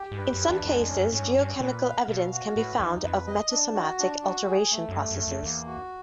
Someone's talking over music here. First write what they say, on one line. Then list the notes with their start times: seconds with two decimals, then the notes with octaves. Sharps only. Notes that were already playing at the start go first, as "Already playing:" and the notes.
In some cases, geochemical evidence can be found of metasomatic alteration processes.
Already playing: G4
0.11 G#2
0.17 G2 B4
0.33 F#2
0.41 D4
0.49 E2
0.65 F2 G#3
0.81 F2
0.89 C#4
0.97 F#2
1.12 G#2 C#4
1.21 G2
1.30 F#2
1.37 G2 C#4
1.61 A#2 B4
1.84 F5
2.08 B2 F5
2.32 F#4
2.56 A2 B4
2.79 E2 D#4
3.04 F2 B4
3.27 D#5
3.51 D4
3.75 F#4
3.99 D4
4.23 F#4
4.47 G#4
4.71 A3
4.89 F#2
4.95 G2 A3
5.11 F#2
5.19 A3
5.27 F2
5.43 E2 A#3
5.67 F#4